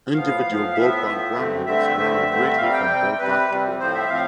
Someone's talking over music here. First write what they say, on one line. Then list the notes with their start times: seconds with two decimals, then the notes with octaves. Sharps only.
Individual ballpark ground rules vary greatly from ballpark to ballpark.
0.14 A2 F3 B3 F5
0.44 A2 F3 B3
0.74 A2 F3 B3 E5
1.05 A2 F3 B3
1.35 G2 D3 A3 C4
1.66 G2 D3 A3 C4 E5
1.97 G2 D3 A3 C4
2.27 G2 D3 A3 C4
2.57 C3 G3 C4 F5
2.73 G5
2.88 C3 G3 C4
3.18 C3 G3 C4 B4
3.48 C3 G3 C4
3.79 A2 F3 C4 C5
3.94 E5
4.09 A2 F3 C4 F5